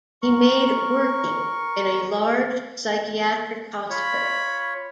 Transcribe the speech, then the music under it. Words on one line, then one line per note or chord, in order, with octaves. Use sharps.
He made "Working" in a large psychiatric hospital.
A#4 C#6
F4 C#5 B5